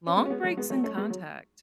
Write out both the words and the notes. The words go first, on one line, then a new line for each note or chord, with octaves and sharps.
long breaks in contact?
C#4
G#3 B3
C#4
G#3 B3
F#3 A3
G#3 B3
F#3 A3
A3 C#4
G#3 B3
F#3